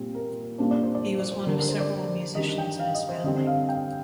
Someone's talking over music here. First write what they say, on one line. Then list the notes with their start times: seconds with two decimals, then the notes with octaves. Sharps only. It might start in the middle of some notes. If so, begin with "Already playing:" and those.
He was one of several musicians in his family.
Already playing: A#2 G3 C4
0.15 A#4
0.58 A#2 G3 A#3 D4 C5
0.71 D5
0.83 C5
0.95 D5
1.06 C5
1.19 D5
1.32 C5
1.47 D3 G3 D4 A#4
1.58 A#4
1.69 C5
1.80 D5
2.35 D#3 G3 D4 D#5
2.58 G5
2.79 F5
2.95 D#5
3.09 C5
3.24 D3 G3 C4 D#5
3.47 F5
3.69 G5